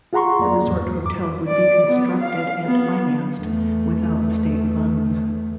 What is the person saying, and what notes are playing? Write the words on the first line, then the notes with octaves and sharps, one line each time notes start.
The resort hotel would be constructed and financed without state funds.
F4 G#4 F#5 A#5 C6 C#6
F2 A#3 D5 A#5
E2 G#2
F2 D6
D5
B3
F5
B3
E2 A3